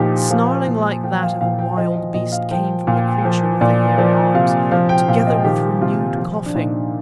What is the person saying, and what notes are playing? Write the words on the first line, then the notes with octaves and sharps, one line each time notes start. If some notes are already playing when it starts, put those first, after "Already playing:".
Snarling like that of a wild beast came from the creature with the hairy arms, together with renewed coughing.
Already playing: A#2 F3 D#4 G4
F3 F5
A#2
F3 G5
F5
A#2 F5
G5
F3 D#5
D#5
A#2 D#5
F5
F3 G5
A#2 F5
F3
A#2 D5
F3 D5
C3 F5
F3 F5
G5
A#2 F5
D#5
D#3 G4
C3 F4
F3
D4
A#2 D#4